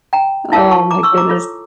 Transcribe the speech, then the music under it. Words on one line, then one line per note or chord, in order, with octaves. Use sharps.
Oh, my goodness.
G5 A#5
E4 A#4 C#5 F5 A5
A5 C#6
A#5 D6
C#6 E6
A#5 D6
F4 A4 C#5